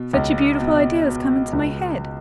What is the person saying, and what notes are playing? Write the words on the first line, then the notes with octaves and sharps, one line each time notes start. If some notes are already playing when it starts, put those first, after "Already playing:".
Such a beautiful idea has come into my head!
Already playing: B2
C#2
B2
B2
C#2